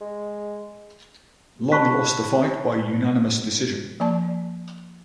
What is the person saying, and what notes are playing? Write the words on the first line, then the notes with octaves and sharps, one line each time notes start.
Long lost the fight by unanimous decision.
G#3
A5 B5 C#6 F#6 B6
F3 A#3 D5 A5